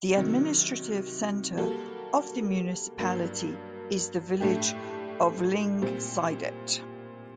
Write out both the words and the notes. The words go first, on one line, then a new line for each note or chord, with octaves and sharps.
The administrative centre of the municipality is the village of Lyngseidet.
C3 D#3 F#3
G3 A#3 F#4 A4
G2 F#3 A#3
A2 A3 D4 G4
A#2 G3 C4 G4